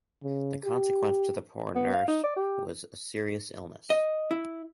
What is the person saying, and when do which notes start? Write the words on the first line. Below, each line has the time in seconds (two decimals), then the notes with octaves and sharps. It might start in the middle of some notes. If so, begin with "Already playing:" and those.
The consequence to the poor nurse was a serious illness.
0.23 C#3
0.64 G4
1.75 B3
1.93 F5
2.08 D#4
2.23 D5
2.36 G4
3.90 D#5
4.31 E4